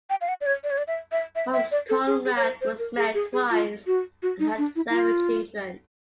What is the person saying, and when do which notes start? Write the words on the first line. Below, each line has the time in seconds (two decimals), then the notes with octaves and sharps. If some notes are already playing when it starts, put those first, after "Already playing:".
Holmes Conrad was married twice and had seven children.
0.10 G5
0.21 F5
0.28 F#5
0.41 D5
0.46 C#5
0.64 D5
0.71 C#5
0.78 D5
0.87 E5
1.12 E5
1.36 E5
1.53 E5
1.72 D5
1.89 A4
2.07 G#4
2.25 G#4
2.36 C#5
2.43 C5
2.61 C5
2.79 A#4
2.97 G#4
3.14 G#4
3.33 G#4
3.51 F4
3.87 F#4
4.23 F#4
4.40 D#4
4.58 D4
4.76 E4
4.90 E4
4.95 F4